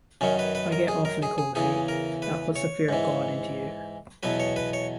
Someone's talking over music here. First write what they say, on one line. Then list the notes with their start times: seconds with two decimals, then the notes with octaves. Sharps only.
I get awfully cold feet. That puts the fear of God into you.
0.21 F#2 D#3 F#3 C#4
0.39 B4
0.55 B4
0.72 A#4
0.88 G#4
1.05 A#4
1.22 G#4
1.38 G#4
1.55 E2 C#3 E3 G#4
1.88 A#4
2.22 B4
2.56 C#5
2.89 G#2 E3
4.23 E2 B2 F#3 B4
4.40 C#5
4.56 B4
4.73 C#5